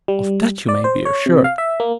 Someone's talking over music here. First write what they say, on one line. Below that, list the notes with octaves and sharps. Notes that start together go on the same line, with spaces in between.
Of that you may be assured.
G3
D5
C5
C#5
C3
F5
E5
A#3